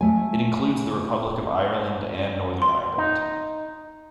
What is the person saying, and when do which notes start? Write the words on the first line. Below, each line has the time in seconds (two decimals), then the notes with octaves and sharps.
It includes the Republic of Ireland and Northern Ireland.
0.01 A3 G#5
2.62 C6
2.98 D#4